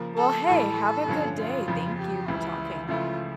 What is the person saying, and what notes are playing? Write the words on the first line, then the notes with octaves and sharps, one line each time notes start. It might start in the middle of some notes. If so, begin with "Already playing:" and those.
Well, hey, have a good day, thank you for talking.
Already playing: C#3 F3 A#3
A4
A2 E3 G3 A4
G2 D3 F3 C#4
F4
F2 C#3 F3
G4
C#2 C#3 E3 G3 E4
C#2 C#3 F3 A3 E4 F4